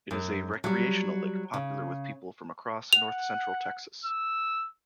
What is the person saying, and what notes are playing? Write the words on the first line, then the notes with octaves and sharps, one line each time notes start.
It is a recreational lake popular with people from across north central Texas.
F#2
F#3 G3
C#3
F#5 F7
E6